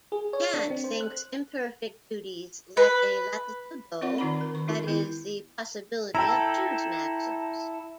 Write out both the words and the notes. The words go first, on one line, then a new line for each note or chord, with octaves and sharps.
Kant thinks imperfect duties let a "latitudo": that is, the possibility of choose maxims.
G#4
C#5
D4
C4
C5
F#6
B4
C4 F4 A#4 C#5 D5 F#5
D#3 D#4 F4 D5 A#5 B5
A#4
D#3 C#6
D#4 F4 A#4
D#3 B3 E4
E4 A4 G5 A#5